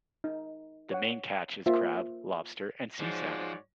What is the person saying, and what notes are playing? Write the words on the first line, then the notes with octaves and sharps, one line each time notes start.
The main catch is crab, lobster and sea salmon.
D#4
C#5 F#5
A#3 F4 C5 E5
G#2 F3 F#4 C#5 D5